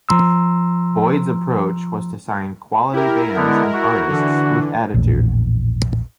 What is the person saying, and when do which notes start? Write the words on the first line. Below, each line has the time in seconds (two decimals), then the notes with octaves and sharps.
Boyd's approach was to sign "quality bands and artists with attitude".
0.09 F3 A#5 C6 E6
2.93 E4 G4 A#4
3.36 D3 G#3 B3
3.74 F#4
4.09 D3 E3 D4
4.94 A#1 E2 A2